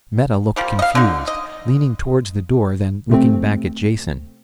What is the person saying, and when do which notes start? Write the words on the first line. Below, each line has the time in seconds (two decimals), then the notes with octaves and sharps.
Meta looked confused, leaning towards the door, then looking back at Jason.
0.56 F3 G3 A#3
0.79 D#5 F5
0.95 D3 D#4
1.28 D#5
3.09 C3 A3 C4